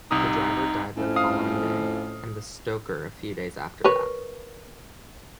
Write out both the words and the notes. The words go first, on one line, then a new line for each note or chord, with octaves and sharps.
The driver died the following day, and the stoker a few days after that.
C2 C3 D#4 D#6
F2 A2 C#4
F5 D#6
A#4 B4 C#5